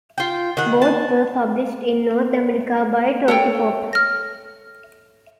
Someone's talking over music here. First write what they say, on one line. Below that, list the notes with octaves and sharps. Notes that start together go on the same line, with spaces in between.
Both were published in North America by Tokyopop.
F4 G5
D#3 F#5
G#5 A5
A4 C#5 G5
F6 A#6